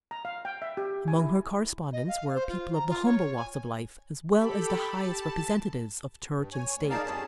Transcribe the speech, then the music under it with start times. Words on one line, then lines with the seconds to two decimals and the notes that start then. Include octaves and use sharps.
Among her correspondents were people of the humble walks of life as well as the highest representatives of Church and State.
0.11 A#5
0.25 F5
0.45 G5
0.62 E5
0.77 G4
1.08 G#5
1.19 E4
1.93 D#5
2.08 F5
2.34 C5
2.48 F4
2.73 A#5
2.89 F4
3.05 C#5
3.36 G#5
4.30 G4 A4 B5
4.76 A5
6.35 G2
6.52 C#5 G#5
6.75 D2
6.90 D#4 G#4 A#4 D5 F5 A5
7.03 F2 G3 C#4 G#4 A5